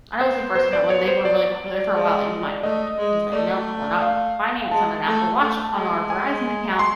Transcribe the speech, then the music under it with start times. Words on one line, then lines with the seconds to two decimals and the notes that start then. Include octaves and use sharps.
I don't wanna say first came out when they were really popular for a while and my like, I was, like, "No, we're not financed on an Apple Watch on our Verizon account,"
0.21 B3 C5
0.55 C5
0.73 D5
0.90 C#5
1.08 C5
1.25 D5
1.94 G#3
2.63 A3 D#5
2.98 G#3
3.32 A3 D5
4.02 F5
4.71 G#3 A5
5.06 A3
5.41 A3
5.75 G#3
6.10 G#5
6.79 C6